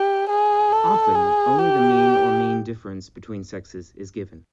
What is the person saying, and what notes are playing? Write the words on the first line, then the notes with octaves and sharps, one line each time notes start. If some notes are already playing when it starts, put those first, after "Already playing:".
Often only the mean or mean difference between sexes is given.
Already playing: G4
G#4
A4
G#4
G4